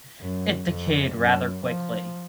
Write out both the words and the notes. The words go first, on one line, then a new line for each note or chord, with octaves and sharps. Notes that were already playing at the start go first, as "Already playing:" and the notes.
It decayed rather quickly.
F#2
F2
F#2
F3